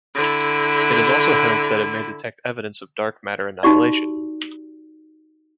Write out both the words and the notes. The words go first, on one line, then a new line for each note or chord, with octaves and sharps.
It is also hoped that it may detect evidence of dark matter annihilation.
D3 E4
D#4 F#4 G4 D5